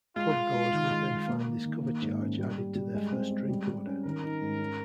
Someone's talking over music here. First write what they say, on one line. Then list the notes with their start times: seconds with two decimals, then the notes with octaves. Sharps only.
Clubgoers would then find this cover charge added to their first drink order.
0.16 G#3 F4
0.35 G#3
0.53 G#3
0.73 D#3
0.90 G#3
1.09 G#3
1.28 A#3
1.46 D#3
1.65 D#3
1.82 A#3
2.02 G#2
2.19 C#4
2.39 G3
2.57 G4
2.75 G3
2.94 G#3
3.12 C4
3.30 G#3
3.49 G3
3.68 G3
3.87 C#4
4.05 D#3 A#4
4.24 D#4
4.41 G#2
4.59 C#4